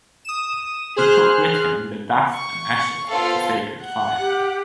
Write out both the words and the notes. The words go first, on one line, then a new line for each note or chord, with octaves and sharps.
He took with him the dust and ashes of the sacred fire.
D#6 E7
G#4 C5 F6 F#6
C#6
B3 F4 A4 C5 F5
F#5
G4